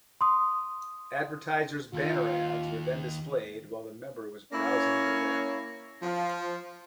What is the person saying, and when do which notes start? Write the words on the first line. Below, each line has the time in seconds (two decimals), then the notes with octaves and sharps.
Advertisers' banner ads were then displayed while the member was browsing the web.
0.21 C6 D#6
1.93 D#2 F4
4.53 A#3 C#4 E4 C#5
6.03 F3